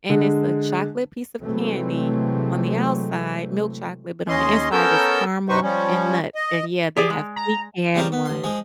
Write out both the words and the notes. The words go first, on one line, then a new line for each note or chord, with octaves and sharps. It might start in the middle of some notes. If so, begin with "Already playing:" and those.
and it's a chocolate piece of candy on the outside, milk chocolate, but on the inside, it's caramel and nuts, and, yeah, they have pecan one.
D3 G#3
C3 E3 F#3 G#3 A3 C4
D#2 C#4 D#5 C6
B3 C#4 A4 A#4 E6 G6
G2 C3 D#4 B4 C5 C#6
F3 G3 C#4
D#5
G4 G#4 D5
G#3
A#5
C#3 G3 C4 F4 G4 A#4
B3
A1 C6
F3 G#3 G#4